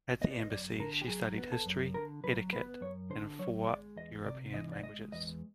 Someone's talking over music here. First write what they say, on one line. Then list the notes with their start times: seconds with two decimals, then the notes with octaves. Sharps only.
At the embassy she studied history, etiquette, and four European languages.
0.21 B3 D#5
0.31 D5
0.40 D#5
0.50 F#2 D5
0.80 D3 A#4
1.02 G4
1.08 F#3 G#4
1.38 B3
1.52 A4
1.66 F#2
1.94 D3 A#4
2.24 F#3 B4
2.53 B3 B4
2.81 F#2 C#5
3.10 D3 C5
3.39 F#3 C#5
3.64 C#5
3.68 G#3 D5
3.96 E2 D#5
4.26 C3 D5
4.54 E3 D#5
4.72 D5
4.83 G#3 D#5
5.12 E2 D#5